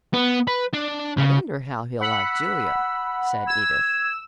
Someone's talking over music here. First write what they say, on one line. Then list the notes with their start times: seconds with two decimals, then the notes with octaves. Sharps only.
"I wonder how he'll like Julia," said Edith.
0.13 B3
0.47 B4
0.73 D4
1.17 C#3
2.00 F#5 B5 E6
3.47 E6 G#6